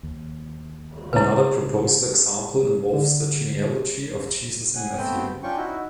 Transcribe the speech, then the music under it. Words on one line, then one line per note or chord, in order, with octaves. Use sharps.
Another proposed example involves the genealogy of Jesus in Matthew.
D#2
C#3 E4 B4
D3
F#5 G#5
A3 B3 C4 G5
C#4 D4 F4 G5 C#6
D#4 E4 F#4